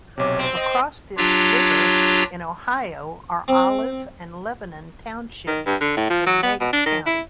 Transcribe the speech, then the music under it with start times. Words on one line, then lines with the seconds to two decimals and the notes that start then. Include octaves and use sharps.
Across the river in Ohio are Olive and Lebanon Townships in Meigs County.
0.18 B1 C3 C#5 D6
0.40 C4 C5
0.57 D#5
1.17 F#3 D4 F4 G4 C#5
3.48 C4
5.47 D#3
5.66 G2
5.81 D3
5.97 A2
6.10 F3
6.27 F#3
6.43 B3
6.60 B2
6.73 D4
6.86 D#3
7.06 E4